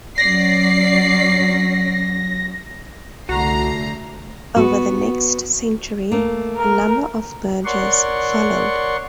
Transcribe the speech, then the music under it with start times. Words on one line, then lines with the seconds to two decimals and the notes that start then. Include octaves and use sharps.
Over the next century, a number of mergers followed.
0.18 F#3 C#4 D5 A#6 C7
3.29 C2 D3 A3 F#4 A#5 C7
4.56 B3 F#4
6.12 A3 A#3
6.55 A#4
7.65 A#4 C#5 D5 F#5 C6 C#6